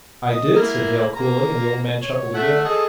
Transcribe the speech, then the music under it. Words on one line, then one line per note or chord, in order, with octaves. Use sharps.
"I did," said Hale coolly, and the old man chuckled again.
D#5
A#3 E4 A#4
A#3 A#5
C#5
A3 E5 F#5
G#4 A4 D#5